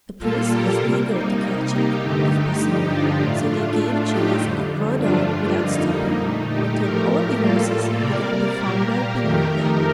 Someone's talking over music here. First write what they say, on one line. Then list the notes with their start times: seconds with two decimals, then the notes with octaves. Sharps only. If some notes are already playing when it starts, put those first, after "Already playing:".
The Prince was eager to catch it, if possible, so they gave chase and rode on without stopping until all the horses began to founder beneath them.
0.19 A#2 G3 A#3 F4 A4
0.49 G4 A#4
0.78 C3 G3 A#3
1.08 D#4
1.39 C3 G3 A#3
1.69 D#4 G4
1.99 G2 D3 A3 D#4 G4
2.58 G2 D3 F3
2.89 D4 F4
3.19 A2 A3
3.48 D4 F4
3.79 A2 A3
4.08 D#4 G4
4.39 F2 D3 G3
4.99 G2 F3 A3 D4 F4
5.59 F2 D3 G3 A#3 D#4
5.89 D#4
6.19 A#2 A3
6.48 D#4 G4
6.79 A2 F3 A3 G4 A#4
7.38 A2 G3 A#3 F4 A4
7.99 C3 G3 A#3 A#4 D5
8.59 A#2 G3 A#3 G4 A#4
9.20 F2 D#3 A3
9.50 D#4 G4